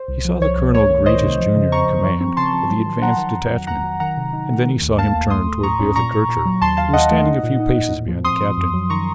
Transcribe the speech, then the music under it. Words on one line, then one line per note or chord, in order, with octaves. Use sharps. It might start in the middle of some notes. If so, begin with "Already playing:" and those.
He saw the colonel greet his junior in command of the advance detachment, and then he saw him turn toward Bertha Kircher who was standing a few paces behind the captain.
Already playing: C5
C2
F3
C2 C#5
C2
A3 C#5
D#3
D#3 C5 D#5
C3
F3
C#3
C#3 A#5 C#6
D#2
F3
C4
C#3 A5 C6
F3
F#3
D#3
F#3 F#5 A#5
D#3
F2
F#3
F2 F#5 A#5
F#3
D#3 F#5 A#5
C3
D#4
A3
D#3
D#2
A#3 F5 A5
D#2
A3 C6 D#6
A3
A2 A#5 C#6
C#4
A#2 A#5 C#6
A#2
A#2
F#3
D#2 A5 C6
D#2 F5 A5
D#2 D#5 F#5
A3
D#4
A#2
D#4
A#2
A2
F3
C4 C6 D#6
F3
F#2
F#3
D#3 A#5 C#6